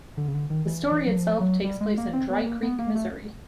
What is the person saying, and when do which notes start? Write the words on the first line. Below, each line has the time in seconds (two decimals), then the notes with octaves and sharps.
The story itself takes place in Dry Creek, Missouri.
0.17 D3
0.28 C#3
0.34 D3
0.50 D#3
0.66 E3
0.91 E3
1.06 F#3
1.16 F3
1.40 F#3
1.64 G3
1.81 G#3
1.98 A#3
2.13 C4
2.30 B3
2.46 A#3
2.63 B3
2.79 A#3
2.95 A3